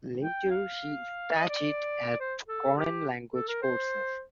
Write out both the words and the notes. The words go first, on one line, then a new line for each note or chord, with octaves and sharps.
Later she studied at foreign language courses.
G5
F5
D#5
D5
C5
A4
G4
A4
A#4
C5